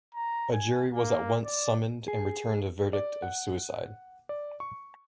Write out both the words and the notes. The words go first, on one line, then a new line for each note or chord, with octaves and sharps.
A jury was at once summoned, and returned a verdict of suicide.
A#5
G#5
A#3
D5
G#4
D5
F#5
D5
C#6